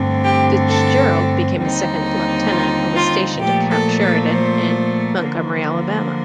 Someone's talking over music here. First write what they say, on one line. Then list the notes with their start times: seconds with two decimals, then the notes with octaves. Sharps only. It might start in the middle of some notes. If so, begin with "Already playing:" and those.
Fitzgerald became a second lieutenant, and was stationed at Camp Sheridan, in Montgomery, Alabama.
Already playing: G2 D3 A3 C4
0.24 G4
0.70 A4
1.60 D#2 D3 G3 C4 D#4
2.51 F4
2.96 F4
3.40 A#2 F3 A3 G4
3.71 A4
4.01 A4
4.31 C5
5.22 D3 F3 A#3